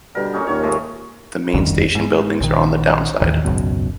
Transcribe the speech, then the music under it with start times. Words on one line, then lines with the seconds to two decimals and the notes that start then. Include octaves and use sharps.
The main station buildings are on the Down side.
0.15 B2 D3 G3 A#4
0.33 A#2 C#4 D#4
0.47 D#2 C#5
0.63 G#2 G#3 A3
1.54 F1 D2 G2 D#3
1.95 G#2
2.41 A#1 D#3
3.21 A1 D#2 D#3 E3
3.45 G#1 C#2 F#2 B2